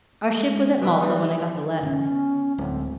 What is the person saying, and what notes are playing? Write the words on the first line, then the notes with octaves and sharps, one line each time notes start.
Our ship was at Malta when I got the letter.
G#3
B2 D4 E4 B5
E3 G3 B3 D#4
G4
A1 A#2 D3 C#4
D3
B3
D1 D2 F#3 G#3 C4